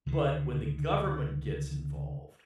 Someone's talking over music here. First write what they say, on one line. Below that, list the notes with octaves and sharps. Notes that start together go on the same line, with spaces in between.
but when the government gets involved,
C#2 D3 D#3